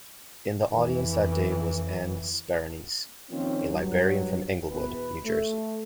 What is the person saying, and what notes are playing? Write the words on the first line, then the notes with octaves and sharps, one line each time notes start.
In the audience that day was Ann Sparanese, a librarian from Englewood, New Jersey.
F2 E3
D#3 F3 A#3 C4 C#4
G2 F#3
E2 B2 E3 B4
A3